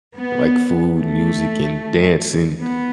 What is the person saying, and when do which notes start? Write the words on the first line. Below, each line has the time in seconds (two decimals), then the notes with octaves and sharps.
like food, music, and dancing.
0.17 B3
0.98 A3
2.60 B3